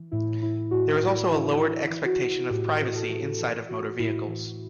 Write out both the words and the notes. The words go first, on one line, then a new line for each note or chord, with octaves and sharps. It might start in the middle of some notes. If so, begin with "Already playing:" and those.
There is also a lowered expectation of privacy inside of motor vehicles.
Already playing: E3
A2 E4
A2 E4
A2 F#4
A2 F#4
E3 E4
E3 E4
E3
F#4
E3
A2 G4
E3
A4
E3
E3 A4
E3 F#4
A2 E4
E3